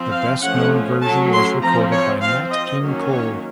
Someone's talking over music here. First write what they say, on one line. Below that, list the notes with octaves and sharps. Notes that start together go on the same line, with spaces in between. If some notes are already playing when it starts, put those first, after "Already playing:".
The best-known version was recorded by Nat King Cole.
Already playing: F3 C4
F5
F3 A3 C#4 F#5
F#3 A3 C#4 A5
C6
F3 C4 A#5
C#5
F3 C4 F5
D#5
D#3 F#3 A#3 C#4
C#5